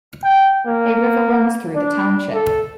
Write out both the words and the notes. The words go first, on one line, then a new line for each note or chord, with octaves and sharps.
A river runs through the township.
G5
A#3
D4
A4